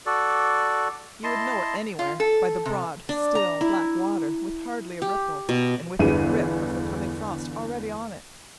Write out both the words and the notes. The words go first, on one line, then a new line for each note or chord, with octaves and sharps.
You would know it anywhere by the broad, still, black water with hardly a ripple, and with the grip of the coming frost already on it.
F#4 A4 D5
E4 D#5 A5 C6
F4
A4
C3
D4
A#5
E4
G4
B2
G1 E2 D3 G#4 B4 D#7